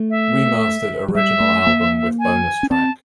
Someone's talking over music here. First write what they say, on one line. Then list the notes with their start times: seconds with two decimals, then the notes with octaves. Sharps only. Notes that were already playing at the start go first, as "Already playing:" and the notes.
Remastered original album with bonus track.
Already playing: A3
0.10 E5
1.08 F#3
1.14 G3 E5
1.40 A3
1.67 A#3
2.19 G#5
2.63 C#4
2.71 C4 A5